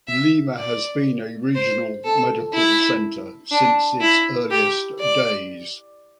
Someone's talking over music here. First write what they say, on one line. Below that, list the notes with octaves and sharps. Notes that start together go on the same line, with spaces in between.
Lima has been a regional medical center since its earliest days.
E5
D5
C5
A4
E4
D4
E4
G4
D5